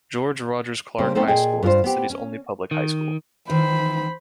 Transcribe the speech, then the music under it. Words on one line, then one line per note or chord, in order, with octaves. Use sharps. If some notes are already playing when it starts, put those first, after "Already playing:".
George Rogers Clark High School is the city's only public high school.
C#3 G3 A#3 C4
A3 B3 C4 D#4 A4 C5
A#2 G#4 A4 D#5 G5
G2 F4 G4 C5
B3 C4 G4
C#4
D#3
D#3 E3 C5 B5